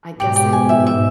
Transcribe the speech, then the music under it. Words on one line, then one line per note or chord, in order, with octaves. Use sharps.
I guess I wouldn't
G#2 B2 G4
G4
G#5
E5
E5